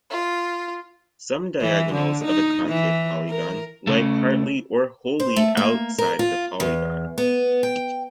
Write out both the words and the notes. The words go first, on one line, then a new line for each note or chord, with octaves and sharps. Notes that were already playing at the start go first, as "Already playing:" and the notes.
Some diagonals of a concave polygon lie partly or wholly outside the polygon.
F4
E3
D3
D#4
E3
A#4
C#3 A3
C5
A3
A#3
A#4
F4
E2
B3
G5